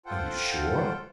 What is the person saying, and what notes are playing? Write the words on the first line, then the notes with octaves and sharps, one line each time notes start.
"Are you sure?"
F4 A4 C5 F#5 G5